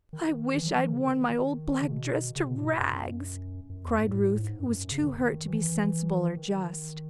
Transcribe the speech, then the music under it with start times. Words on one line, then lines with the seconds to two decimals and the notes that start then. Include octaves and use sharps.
"I wish I'd worn my old black dress to rags!" cried Ruth, who was too hurt to be sensible or just.
0.13 D#3
0.57 E3
0.67 F#3
0.76 E3
0.93 C#3
1.02 D#3
1.81 C#3
1.91 B2
2.36 C#3
2.45 B2
2.55 A2
2.64 B2
2.80 F#2
3.69 F#2
3.84 E2
3.99 G#2
4.10 A2
4.20 G#2
4.30 A2
4.41 G#2
4.59 F#2
4.92 C#3
5.03 D#3
5.48 E3
6.37 D#3